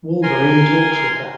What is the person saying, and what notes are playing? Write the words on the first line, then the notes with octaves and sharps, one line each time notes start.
Wolverine talks with her.
A#4 G#5 C6